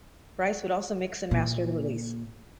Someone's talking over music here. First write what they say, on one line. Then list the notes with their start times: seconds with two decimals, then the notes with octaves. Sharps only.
Bryce would also mix and master the release.
1.31 A#2